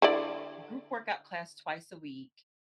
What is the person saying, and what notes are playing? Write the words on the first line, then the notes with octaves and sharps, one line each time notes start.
group workout class twice a week,
D3 E4 D5